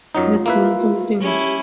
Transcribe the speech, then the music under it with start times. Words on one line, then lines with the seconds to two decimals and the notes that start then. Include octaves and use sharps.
Try doing something.
0.15 F#2 F#3 D#4 F4
0.46 A#3 E4 B4
1.20 C#4 E4 G4